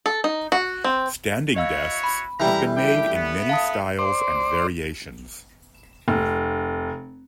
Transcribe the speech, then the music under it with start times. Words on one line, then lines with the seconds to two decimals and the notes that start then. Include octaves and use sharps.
Standing desks have been made in many styles and variations.
0.06 A4
0.24 D#4
0.52 F#4
0.84 C4
1.56 E4 F#4 C#5 D#5 F5 E6
2.04 B5
2.40 A2 C#3 E3 G3 G#3 E4 A#5
2.76 A3 D4 G4 A4 G5
3.13 B3 C#5 E5 F#5
3.49 E4 F5 A5 D#6
3.99 C5 D5
6.08 F1